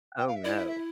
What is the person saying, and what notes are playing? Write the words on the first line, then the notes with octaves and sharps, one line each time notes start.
Oh, no.
G5
F5
E5
E4 D5
E5
E5